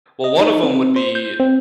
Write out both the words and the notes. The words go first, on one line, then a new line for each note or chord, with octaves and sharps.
Well, one of 'em would be,
D#5
D#4
C4
C5
G6
C4